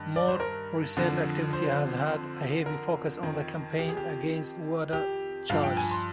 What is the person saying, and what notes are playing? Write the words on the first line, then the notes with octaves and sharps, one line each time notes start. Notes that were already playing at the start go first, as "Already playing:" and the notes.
More recent activity has had a heavy focus on the campaign against water charges.
Already playing: G2 D#3
D5
C5
A#4
F2 D3 F3
C5
A#4
F2 D#3
G4
G#4
G4
G4
G2 F3 F5
G5
G#5
C6